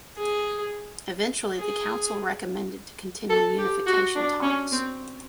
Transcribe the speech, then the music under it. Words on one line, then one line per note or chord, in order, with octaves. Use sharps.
Eventually the council recommended to continue unification talks.
G#4
G#4
A4
G4
F#4
D4
C#4
C4